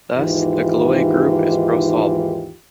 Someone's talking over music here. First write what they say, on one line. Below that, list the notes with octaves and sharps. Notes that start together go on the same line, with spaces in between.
Thus, the Galois group is prosolvable.
D#2 G#2 E3 D#4 F4 G4